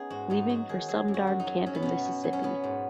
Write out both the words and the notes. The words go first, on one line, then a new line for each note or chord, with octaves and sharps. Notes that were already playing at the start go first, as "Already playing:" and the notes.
Leaving for some darn camp in Mississippi.
Already playing: B3 C#4 D#4 G#4
G#2 F#4
G#2 D#4
F#3 F#4
D#3 G#4
F#3 G#4
F#2
F#4
F#2
D#4
F#3
F#3 C#4
B3
B2 C#4
B2
F#3
C#4
F#3 B3
G#2